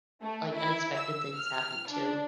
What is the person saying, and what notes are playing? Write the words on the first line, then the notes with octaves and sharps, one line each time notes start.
like, unexpected things happen, too.
A3
E4
E6
F6
D4